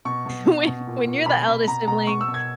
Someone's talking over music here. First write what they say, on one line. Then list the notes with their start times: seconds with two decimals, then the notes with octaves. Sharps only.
When when you're the eldest sibling,
0.05 B2 C#6
0.26 B2
0.46 B2
0.66 B2
0.87 A#2
1.06 A#2
1.26 B2 B5
1.48 B2
1.67 B2 A#5
1.87 B2 A#5
2.07 B2 C#6
2.21 E6
2.28 B2
2.34 G#6